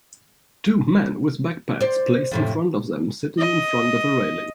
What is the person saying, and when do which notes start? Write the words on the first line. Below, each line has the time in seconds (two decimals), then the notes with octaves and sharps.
Two men with backpacks placed in front of them sitting in front of a railing.
1.81 C5 D5
2.31 F2 A2 C3
3.39 D#5